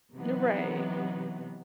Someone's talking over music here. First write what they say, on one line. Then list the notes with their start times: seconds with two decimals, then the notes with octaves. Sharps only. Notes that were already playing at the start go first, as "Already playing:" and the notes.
You're right.
0.15 C3 E3 F#3 B3 D#4